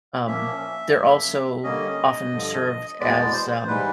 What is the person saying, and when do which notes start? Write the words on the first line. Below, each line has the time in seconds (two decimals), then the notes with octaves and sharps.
Um, they're also often served as, um
0.27 A#2 F3 A#3 C#4 E5
0.96 F#2 C#3 F3 A#3
1.63 D3 G3 A#3 C#4 D#5
2.32 G2 D3 F3
3.00 E2 B2 G#3 B3 D5
3.34 C5
3.67 G#2 E3 G3 B4